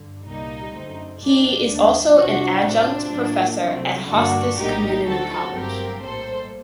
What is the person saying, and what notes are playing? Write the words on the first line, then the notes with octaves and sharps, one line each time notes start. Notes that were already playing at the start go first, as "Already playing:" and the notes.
He is also an adjunct professor at Hostos Community College.
Already playing: G2 D3
C2 A#2 G3 A#3 D#4
F#2 D3 A3 C4
A#1 A2 G3 D4
D#2 D3 G3 A#3 D4
C2 C3 G3 C4 D4 F#4
A2 A3 C4 D4
A2 F#3 A#3
C2 C3 F#3 A3 C4
G2 D3 G3 A#3 D4 F#4
A#1 A2 G3 A#3 D#4 G4
D2 D3 F#3 A3 C4 F#4 A4
G1 G2 F#3 A3 C4 G4 A#4
A#1 A2 G3 A#3 A4 C5